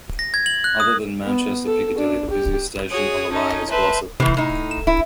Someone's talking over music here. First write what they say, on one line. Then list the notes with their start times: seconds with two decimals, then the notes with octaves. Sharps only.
Other than Manchester Piccadilly, the busiest station on the line is Glossop.
0.19 A#6
0.34 G#6
0.46 F#7
0.64 F#6
0.80 D#6
1.25 B3
1.66 A4
1.98 D4
2.30 G4
2.91 F#4 G#4 C#5 D#6
3.30 C#4 D#4 A4 D#5
3.69 B4 C5 E5 A5
4.20 A2 C3 E3
4.37 A2 D#4
4.71 E7
4.87 E4